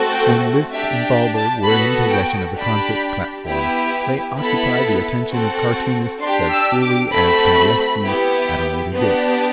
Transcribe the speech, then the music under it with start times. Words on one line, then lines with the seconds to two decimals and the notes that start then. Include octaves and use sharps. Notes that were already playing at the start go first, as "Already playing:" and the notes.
When Liszt and Thalberg were in possession of the concert platform, they occupied the attention of cartoonists as fully as Paderewski at a later date.
Already playing: A3 C4 F#4 A4
0.12 G5
0.72 D4 G4 E5
1.03 G5
1.34 A5
1.64 B3 F#4 A4 B5
2.10 G5
2.56 D4 G4 B5
3.47 B3 E4 G4
4.39 B3 E4 A4 B5
5.29 C4 F#4 A4
6.21 D4 C6
6.25 G4
6.51 E6
6.81 D6
7.12 A3 C4 F#4 A4 B5
8.04 B3 E4 G4
8.95 B3 D4 G4